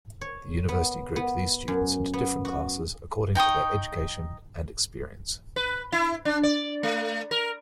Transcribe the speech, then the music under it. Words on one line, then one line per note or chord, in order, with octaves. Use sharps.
The university grouped these students into different classes according to their education and experience.
C#5
B3
B3
F#2
B3
F#4
D#4 G5 C#6 D#6
B4
E4
D4
D5
A3
A#4